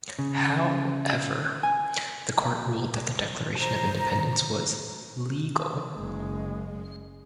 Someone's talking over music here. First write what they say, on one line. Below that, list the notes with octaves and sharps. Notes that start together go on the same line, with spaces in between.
However, the Court ruled that the declaration of independence was legal.
C#3
G#5
C5 A#5
F#1 G#3